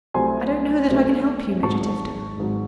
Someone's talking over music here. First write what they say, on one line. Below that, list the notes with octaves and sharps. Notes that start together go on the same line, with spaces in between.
"I don't know that I can help you, Major Tifto."
C2 C3 F#3 A3 C4 G#5 C6
C2 C3 F#3 A3 C4
G#1 G#2 F#3 A5 C#6
G#1 G#2 F#3